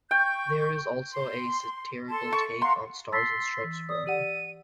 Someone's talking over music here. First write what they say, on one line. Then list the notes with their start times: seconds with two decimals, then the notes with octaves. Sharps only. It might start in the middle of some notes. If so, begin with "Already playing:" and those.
There is also a satirical take on Stars and Stripes Forever.
0.11 G5 C#6 G6
1.13 C6
2.09 A4 A5 C6
2.33 C#6
2.62 F5 F#5 A#5 C6
3.12 A5 C6 E6 A6 B6
3.64 E3
3.89 D5 D#6
4.07 G4 D5 F#5 D#7